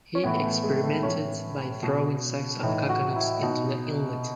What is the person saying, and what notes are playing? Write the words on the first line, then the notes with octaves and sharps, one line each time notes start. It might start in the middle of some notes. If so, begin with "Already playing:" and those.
He experimented by throwing sacks of coconuts into the inlet.
C#4
A2 E3 B3
A3
G#3
A3
A2 E3 C#4
B2
A2 E3 D#4
F#4
E4
B2 D#4